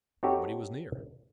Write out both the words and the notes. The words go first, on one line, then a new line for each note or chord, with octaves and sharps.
Nobody was near.
C4 D#4 F#4 G4 A4 C#5